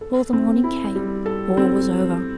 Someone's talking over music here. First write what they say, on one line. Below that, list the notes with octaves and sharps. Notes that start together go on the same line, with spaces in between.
Before the morning came all was over.
A4
C4
E4
G3
A4
C4